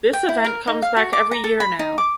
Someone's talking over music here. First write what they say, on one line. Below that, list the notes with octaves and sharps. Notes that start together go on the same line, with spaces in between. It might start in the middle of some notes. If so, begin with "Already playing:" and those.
This event comes back every year now.
G5
E4
A#4
D#4
F5
F#4
D6
A#5
A4
B5
D#4
D6